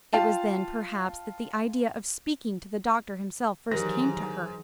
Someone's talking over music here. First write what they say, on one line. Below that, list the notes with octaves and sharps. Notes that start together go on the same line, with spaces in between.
It was then, perhaps, that the idea of speaking to the doctor himself first came to her.
F4 F5 G5 A5
G#2 D#3 E3 F#3 G4 A#4 A#6